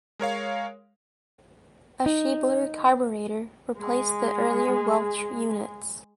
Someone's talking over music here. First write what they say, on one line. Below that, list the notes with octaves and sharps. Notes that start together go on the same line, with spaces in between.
A Schebler carburetor replaced the earlier Welch units.
G#3 A#4 C#5 F5
D#4
G#3 G#4